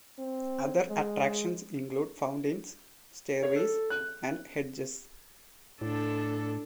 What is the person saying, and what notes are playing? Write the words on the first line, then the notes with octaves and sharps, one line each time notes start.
Other attractions include fountains, stairways, and hedges.
C4
G#3
C#5
A4
F#6
A2 D4 A4